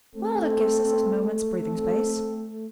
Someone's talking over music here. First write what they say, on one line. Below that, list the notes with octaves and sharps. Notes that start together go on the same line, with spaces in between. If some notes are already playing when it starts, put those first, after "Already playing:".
Well, it gives us a moment's breathing space....
A3 C4 A4
C4 A4